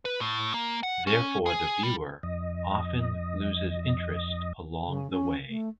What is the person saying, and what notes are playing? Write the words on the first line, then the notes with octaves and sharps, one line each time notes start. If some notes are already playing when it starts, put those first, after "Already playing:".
Therefore the viewer often loses interest along the way.
B4
A2
A#3
F#5
C#4
G#4
G3
F2 D#5
C#3
C#4
A3